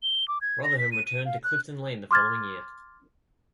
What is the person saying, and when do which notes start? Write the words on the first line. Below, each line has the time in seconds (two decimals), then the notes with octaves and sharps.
Rotherham returned to Clifton Lane the following year.
0.03 G7
0.28 D6
0.42 G#6
0.64 A#6
0.78 B6
0.92 D#7
1.06 D#7
1.25 F5
1.44 F#6
2.11 C6 D6 F6 G#6 A6